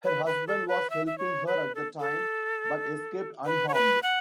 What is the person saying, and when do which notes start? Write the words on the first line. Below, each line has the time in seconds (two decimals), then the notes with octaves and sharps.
Her husband was helping her at the time, but escaped unharmed.
0.04 B4
0.26 B4
0.47 A4
0.68 B4
0.90 E5
1.07 E5
1.18 C#5
1.47 B4
1.75 A4
2.00 A4
3.45 B4
3.69 C#5
3.74 B4
4.03 F#5